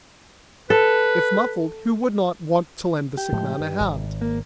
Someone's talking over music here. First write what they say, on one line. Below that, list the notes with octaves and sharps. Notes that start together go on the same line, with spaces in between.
If muffled, who would not want to lend the sick man a hand?
A4 B4
G4
A2 F3 G#3
G2
G#1
A#3